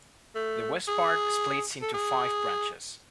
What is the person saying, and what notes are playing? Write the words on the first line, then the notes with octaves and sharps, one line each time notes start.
The west part splits into five branches.
A3
G#4
A4
G#4